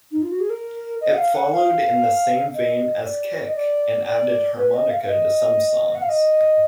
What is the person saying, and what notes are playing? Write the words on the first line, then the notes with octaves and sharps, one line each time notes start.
It followed in the same vein as "Kick", and added harmonica to some songs.
D#4
F4
F#4
G#4
A#4
D#5
F#5
F5
F#5
F5
D#5
D5
D#5
D5
D5
B4
D#5
F5
F5
D#5
F#5
F5
D#5